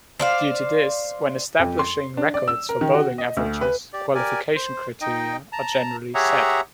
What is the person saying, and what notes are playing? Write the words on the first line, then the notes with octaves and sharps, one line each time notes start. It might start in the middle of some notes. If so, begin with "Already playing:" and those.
Due to this, when establishing records for bowling averages, qualification criteria are generally set.
C5 D5 F5
F2
C6
D4
D5
E6
A#4
D#3
F#4
D#5
D2
B4
G4 D5
G4 A#4 D5 G#5
C5
D#4 D#5 G5
A5 A#5
G4 G#4 C#5 E5 F#5 A#5